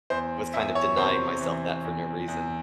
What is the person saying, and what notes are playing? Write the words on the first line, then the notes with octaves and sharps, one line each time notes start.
was kind of denying myself that for no reason.
E2 C5
E2 E5
C#5
C3 C5
E3
E2
E2